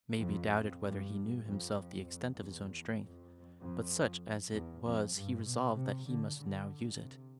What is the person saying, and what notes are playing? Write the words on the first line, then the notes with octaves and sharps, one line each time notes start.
It may be doubted whether he knew himself the extent of his own strength, but such as it was he resolved that he must now use it.
F2
G2
F2
F2
E2
F2
F2
E2
F2
G2
B2
C3
D3
D3
C3